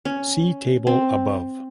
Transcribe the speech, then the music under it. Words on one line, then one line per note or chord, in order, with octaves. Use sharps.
See table above.
C#4
C4